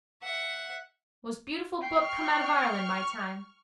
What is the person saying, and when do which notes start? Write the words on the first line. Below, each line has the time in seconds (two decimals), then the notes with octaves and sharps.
Most beautiful book come out of Ireland my time.
0.22 E5 F#5
1.80 G5 C#6 F6 C7